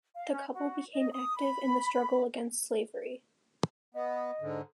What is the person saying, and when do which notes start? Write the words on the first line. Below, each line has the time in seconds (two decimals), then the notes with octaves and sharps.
The couple became active in the struggle against slavery.
0.15 F5
0.30 C#4
0.54 F#4
0.93 D#5
1.13 D#6
1.36 B5
3.95 B3 D#5
4.41 G#2 D3